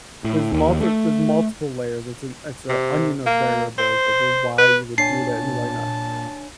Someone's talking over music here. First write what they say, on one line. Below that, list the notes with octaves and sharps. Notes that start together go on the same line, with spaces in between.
there's multi there's multiple layers, it's an it's an onion of variables of the why you would do that and why not
A2
D#2
A3
C3
A#3
C5
B4
A#2 D4 C#5 G#5 A5 C7